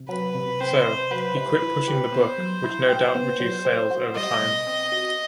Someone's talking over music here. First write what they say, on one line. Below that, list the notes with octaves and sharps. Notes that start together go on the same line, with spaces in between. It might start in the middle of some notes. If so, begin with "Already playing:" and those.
So, he quit pushing the book, which no doubt reduced sales over time.
Already playing: C3
F#3 B4
C3
C4 C5
C3
F#3 B4
C3
E4
G4
B3 C5
F#3
E4
G4
B3
F#3
C4
F#4
G3 D#5
B2
C4
F#4